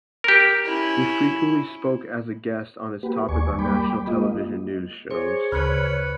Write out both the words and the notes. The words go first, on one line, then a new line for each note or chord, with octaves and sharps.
He frequently spoke as a guest on this topic on national television news shows.
G4 A#4
C#4 E4
A#3 F#4 G4 B4
D#2 D5 G#5 C#6
G3 A#3 G5 B5 D6
G#3 A#3 F4 D#5
G#4 C5 C#5 C#7
D2 C#3 B4 C5 F6 F#6 C#7